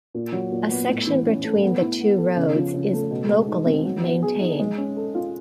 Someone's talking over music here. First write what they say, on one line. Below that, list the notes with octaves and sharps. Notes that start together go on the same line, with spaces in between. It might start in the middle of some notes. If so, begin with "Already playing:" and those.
A section between the two roads is locally maintained.
A#2
F#3
A#2
B3
A2
E3
C#4
A3
B3
E4
B3
A4
C#3
F3
C#3
A3
B2
G#3
D#4
C4
F#3
B3
G#4
D#4
G#3
C#4
A4
F4